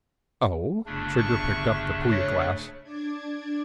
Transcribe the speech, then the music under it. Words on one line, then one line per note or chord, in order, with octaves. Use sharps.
"Oh?" Trigger picked up the Puya glass.
G1 C#3 A3 D4
C#6
C#5
D4 D5 G#6